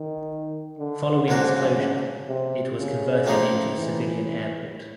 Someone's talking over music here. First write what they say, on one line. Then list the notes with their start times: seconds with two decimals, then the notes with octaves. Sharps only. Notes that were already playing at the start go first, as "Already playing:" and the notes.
Following its closure, it was converted into a civilian airport.
Already playing: D#3
0.79 D3
1.28 G#2 C#3 F3 A#3 D4 F#4
2.28 C3
2.77 C#3
3.26 A2 F3 A#3 D#4
3.76 E3